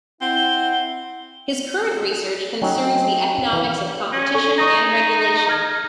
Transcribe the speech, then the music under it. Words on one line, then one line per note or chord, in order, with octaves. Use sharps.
His current research concerns the economics of competition and regulation.
C4 E4 F#5 G7
F#3 C#4 D#4 G5
E3 B4 F5
C#4
A4 G#5 C#6
D#4 C#6 D#6 A#6
F6 G#6 A#6